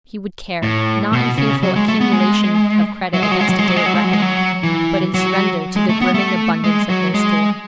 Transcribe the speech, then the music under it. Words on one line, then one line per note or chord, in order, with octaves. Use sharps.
He would care, not in fearful accumulation of credit against a day of reckoning, but in surrender to the brimming abundance of their store.
A2
B2
C#3
F#3
G#3
A3
B3
G#3
F#3
G#3
F#3
G#3
F#3
G#3
F#3
G#3
F#3
G#3
F#3
G#3
F#3
E3
F#3
G#3
A3
B3
A3
G#3
F#3
G#3